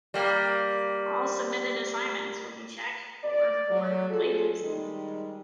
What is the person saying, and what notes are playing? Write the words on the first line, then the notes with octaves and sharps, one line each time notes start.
All submitted assignments will be checked for for plagiarism.
G3 A#3
D5
F#3
F4 G#4 A4
D#3 G3 G#3 D#4